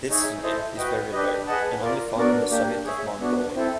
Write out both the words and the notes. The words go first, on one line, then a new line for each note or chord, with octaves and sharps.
This snail is very rare and only found on the summit of Mount Gower.
D#4 G#4 C#5 E5 G#5
E4 A4 C5 D#5
F#4 B4 D#5 G5
D4 G4 B4 D#5
G#4 B4 D#5 F#5 A5
F4 A#4 D5
B3 D4 F#4 A#4 D5
A#3 D4 G4
G#4 C#5 E5
B3 D4 F#4
C4 E4 A4